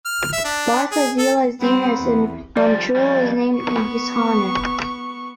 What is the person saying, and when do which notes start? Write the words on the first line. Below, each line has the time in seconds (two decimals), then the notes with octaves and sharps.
Parc Azellus-Denis in Montreal is named in his honour.
0.05 F6
0.33 E5
0.45 D4
0.92 G#4
1.18 A4
1.60 G3 B3 C4
1.97 E2
2.57 F3 G3 D5
2.96 F2 G3
3.56 B3 C#6